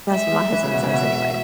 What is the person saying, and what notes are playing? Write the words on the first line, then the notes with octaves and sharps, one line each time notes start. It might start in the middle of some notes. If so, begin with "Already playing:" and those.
that's what my husband says anyway-
G#3 E5
G#3
E3
C#3
B2
C#3
B2 E5